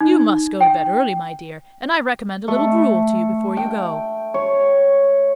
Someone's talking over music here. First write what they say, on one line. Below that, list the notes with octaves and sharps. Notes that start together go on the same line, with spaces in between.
You must go to bed early, my dear,--and I recommend a little gruel to you before you go.
D#4
G5
A3
G5
C#5